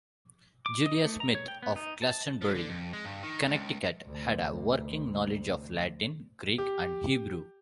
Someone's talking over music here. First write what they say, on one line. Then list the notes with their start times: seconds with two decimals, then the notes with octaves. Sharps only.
Julia Smith, of Glastonbury, Connecticut had a working knowledge of Latin, Greek and Hebrew.
0.66 D6
0.86 D#5
1.05 A3
1.20 A#5
1.35 C#5
1.48 G5
1.62 B3
1.76 D#4
2.02 A5
2.42 F3
2.54 D3
2.69 F2
2.93 G#3
3.05 G2
3.23 D#3
3.47 C#2
4.03 D2 C3
6.58 G4